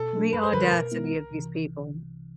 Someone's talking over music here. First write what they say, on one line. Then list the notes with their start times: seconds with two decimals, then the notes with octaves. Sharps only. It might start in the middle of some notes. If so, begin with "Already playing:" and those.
The audacity of these people.
Already playing: B2 A4
0.13 F#3 A3 D4
0.33 F#2 B4
0.43 C5
0.52 D3 G3 B4
0.63 A#4
0.72 B2
0.92 G#3 B3 E4
1.12 C2
1.31 C3 E3